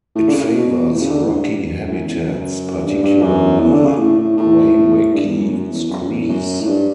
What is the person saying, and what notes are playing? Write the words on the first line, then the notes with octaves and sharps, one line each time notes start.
It favours rocky habitats, particularly greywacke screes.
A2
D3
C#3
A2
B2
A2
C#3
D3
A2
G2
F#2
F#2
E2
F#2
G2
G2
F#2
E2
D3
C#3
A2
A2
A2
G2
E2
F#2
F#2
E2
F#2
E2
F#2
A2
G2